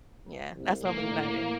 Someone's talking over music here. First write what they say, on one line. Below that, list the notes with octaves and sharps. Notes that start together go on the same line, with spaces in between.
Yeah. That's normally what I do.
C2
A2 A#3